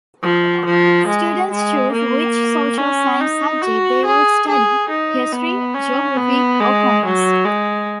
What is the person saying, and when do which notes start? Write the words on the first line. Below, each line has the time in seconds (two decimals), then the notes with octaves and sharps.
Students choose which Social Science subject they will study - History, Geography or Commerce.
0.23 F3
0.65 F3
1.07 G#3
1.50 G#3
1.92 A#3
2.78 C#4
3.20 D#4
3.62 F#4
4.05 G#4
4.48 G#4
4.90 D#4
5.33 B3
5.74 C#4
6.17 B3
6.60 G#3
7.02 F#3
7.44 G#3